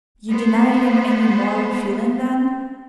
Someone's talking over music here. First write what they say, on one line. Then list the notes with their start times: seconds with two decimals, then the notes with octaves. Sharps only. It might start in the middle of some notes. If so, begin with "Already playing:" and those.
You deny him any moral feeling then?
0.30 B3 C5